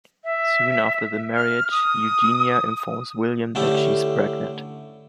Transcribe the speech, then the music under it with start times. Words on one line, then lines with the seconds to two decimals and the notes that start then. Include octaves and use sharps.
Soon after the marriage, Eugenia informs William that she is pregnant.
0.24 E5
1.35 F6
1.71 D#6
3.55 D3 A3 C#4 E4 G4